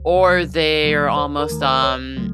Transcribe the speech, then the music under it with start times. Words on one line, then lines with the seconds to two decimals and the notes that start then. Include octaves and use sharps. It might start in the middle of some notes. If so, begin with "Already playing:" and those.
or they are almost, um
Already playing: C#2
0.17 C3 F#3
0.50 C#2
0.83 C3 F3 A3
1.16 D#2 C5
1.39 A#4
1.50 D#3 A3
1.61 C5
1.83 C#2 C#5
2.17 C#3 F#3 A3